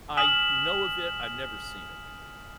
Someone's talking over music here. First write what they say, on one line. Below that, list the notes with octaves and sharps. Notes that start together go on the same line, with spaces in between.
I know of it. I've never seen it.
G#5 D#6 F6 B6 E7 F#7